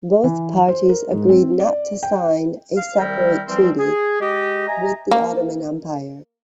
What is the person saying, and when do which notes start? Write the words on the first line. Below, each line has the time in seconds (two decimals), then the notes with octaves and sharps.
Both parties agreed not to sign a separate treaty with the Ottoman Empire.
0.24 E3
0.68 C5
0.89 A#4
1.11 G#2
1.29 C4
1.60 D5
2.03 G5
2.77 F5
2.99 C2 D#3 G3 E4 A#4 G5
3.48 E3 F3 G3 C4
3.79 G#4
4.21 G#3 G4 D#5
4.67 D#5 E5 G#5 A#5
5.11 A#3